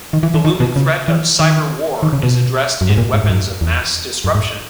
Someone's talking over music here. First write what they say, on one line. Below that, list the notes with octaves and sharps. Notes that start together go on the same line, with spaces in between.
The looming threat of Cyber War is addressed in Weapons of Mass Disruption.
D#3
E3
E3
D#3
B2
C#3
E3
D#3
D#3
C#3
B2
F#2
G#2
A#2
G#2
G#2
F#2
E2
F#2
G#2